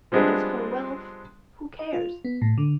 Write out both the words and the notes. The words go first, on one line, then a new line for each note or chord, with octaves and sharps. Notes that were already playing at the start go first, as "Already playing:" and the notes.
As for wealth, who cares?
F3 G3 G#3 B3 C4 D4
D#5
F4
B3
A2
D3